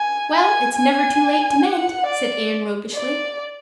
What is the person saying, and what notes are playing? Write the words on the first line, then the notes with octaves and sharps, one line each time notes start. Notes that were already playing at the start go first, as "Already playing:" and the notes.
"Well, it's never too late to mend," said Anne roguishly.
Already playing: G#5
G#5
G#5
F#5
D5
D5